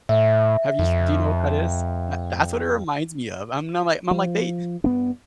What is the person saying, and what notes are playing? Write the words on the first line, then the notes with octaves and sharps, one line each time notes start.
Have you s do you know what that is? Tha that's what it reminds me of, I'm not, like I'm like, they
A2 E5
F2
F3
G2 B3 D4